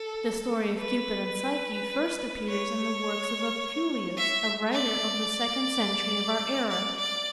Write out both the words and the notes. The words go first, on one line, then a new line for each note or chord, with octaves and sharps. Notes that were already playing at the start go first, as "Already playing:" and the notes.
The story of Cupid and Psyche first appears in the works of Apuleius, a writer of the second century of our era.
Already playing: A4
B4
C#5
E5
D5
D5
D5